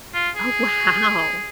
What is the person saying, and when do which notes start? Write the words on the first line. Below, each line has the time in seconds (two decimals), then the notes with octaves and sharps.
Oh, wow.
0.14 F4
0.36 G#4